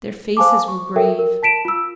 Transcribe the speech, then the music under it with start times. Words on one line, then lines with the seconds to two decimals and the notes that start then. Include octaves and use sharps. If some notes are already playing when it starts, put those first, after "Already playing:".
Their faces were grave.
0.37 C5 F5 G#5 A5 D6
0.68 C#6
0.96 A4 A#4 E5 G5
1.19 A#4
1.43 A5 B6 D7 E7
1.65 F4 E6